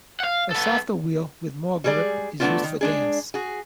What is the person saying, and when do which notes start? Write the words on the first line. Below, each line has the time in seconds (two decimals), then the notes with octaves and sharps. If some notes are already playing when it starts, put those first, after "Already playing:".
A softer wheel with more grip is used for dance.
0.20 F5 F#5
0.51 B3 A4
1.84 G3 G#3 G#4 A#4 D5
2.40 F#3 A3 B3 D4 E4 F4
2.63 D#3
2.81 G#3 D4 G#4
3.34 F#4 G#4